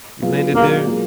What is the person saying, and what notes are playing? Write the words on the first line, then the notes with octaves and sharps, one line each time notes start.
you landed there?
F#3 B3 F4 G#4
B2 F#3 A#3 D4 G#4 A#4
F#3 A#3 F4 G#4